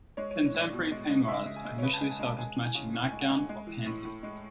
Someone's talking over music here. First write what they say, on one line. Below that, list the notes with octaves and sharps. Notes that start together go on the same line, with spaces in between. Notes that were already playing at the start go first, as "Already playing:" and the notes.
Contemporary peignoirs are usually sold with matching nightgown or panties.
G#3 C#5
E3 C#5
C#5
A2 D5
B2
G#3
G#3
C#3 E5
G#3
G#5
G#3
C#5
C#3 B4
A5
G#3 G#5
G#5
G#3
A5
G#3 G#5
E3
G#5
C#3
A2
G#3 G#5
F#5
G#3
G#5
G#3
E3
A2
A2
G#3